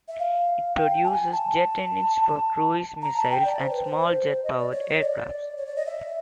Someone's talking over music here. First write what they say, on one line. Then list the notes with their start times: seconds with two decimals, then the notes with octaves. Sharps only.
It produces jet engines for cruise missiles and small jet-powered aircraft.
0.08 E5
0.19 F5
0.76 G5
1.04 A5
1.08 G#5
1.32 A5
3.02 A#5
3.16 A5
3.31 G5
3.44 D5
3.59 C5
3.71 B4
3.84 C5
4.44 D#5
4.58 D5
4.72 C#5
5.01 D#5
5.05 D5
5.57 C#5
5.66 D5
5.76 D#5
5.86 E5